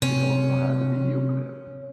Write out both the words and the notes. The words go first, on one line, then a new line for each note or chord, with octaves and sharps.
It also had a video clip.
C3 C#4